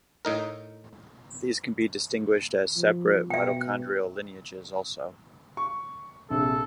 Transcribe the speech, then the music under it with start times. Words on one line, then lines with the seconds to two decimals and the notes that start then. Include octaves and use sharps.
These can be distinguished as separate mitochondrial lineages also.
0.25 A2 D#4 A#4
2.76 F3
3.30 B2 E5 G5
5.57 C#6
6.30 A#1 C3 A4